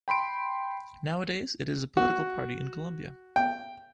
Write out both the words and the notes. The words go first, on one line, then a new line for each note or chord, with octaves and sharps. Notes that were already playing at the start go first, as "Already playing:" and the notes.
Nowadays it is a political party in Colombia.
G5 B5 C6 D7
F#4
G5